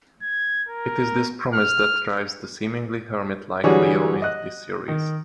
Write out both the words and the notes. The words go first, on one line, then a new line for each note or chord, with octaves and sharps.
It is this promise that drives the seemingly hermit-like Leo in this series.
G#6
A#4
F6
D3 E3 F#3 G3 G#4 C#5
D#5 F#6
D#3